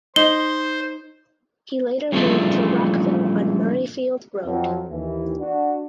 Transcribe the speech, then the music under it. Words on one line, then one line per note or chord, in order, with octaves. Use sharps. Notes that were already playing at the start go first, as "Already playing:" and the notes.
He later moved to "Rockville" on Murrayfield Road.
D#4 C5 G7
G2 A#2 C#3 E3 F3 A3
F2 F#3
D#2 E3
D4 F#4